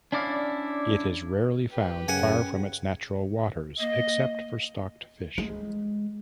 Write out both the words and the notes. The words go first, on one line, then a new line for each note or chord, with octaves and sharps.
It is rarely found far from its natural waters except for stocked fish.
C#4 D4 E4 D5 E5 F5
G4 B4
F#2 C#3 F#5 G#5
A#3 D#5
G#3